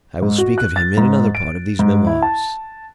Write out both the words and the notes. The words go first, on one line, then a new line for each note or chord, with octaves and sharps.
I will speak of him in another part of these Memoirs.
G#2
F#4
F#6
A6
G#2
D7
G#2
E4
A5